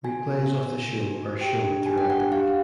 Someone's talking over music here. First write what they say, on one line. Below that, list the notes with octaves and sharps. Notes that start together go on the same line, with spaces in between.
Replays of the show are shown throughout the week.
F#4 G#5
B3
B3
B3
F#4
F#4
G4 G5
D4
G4 G#5
G5
D4 F#5
G4 F5